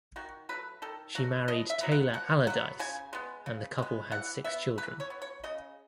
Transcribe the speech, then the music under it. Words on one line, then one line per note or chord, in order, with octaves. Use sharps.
She married Taylor Allerdice and the couple had six children.
D#3 F#4
F#3 A3 B4
D#3 A4
F#3 A3 F#4
B2 D#5
E5
F#3 B3
F#5
B2 F#5
F#3 B3 F#5
C#3 G#5
G#3 B3
C#3
G#3 B3
E3 F#5
B3 E5
E3 B4
C#5
B3
C#5
C#3 D#5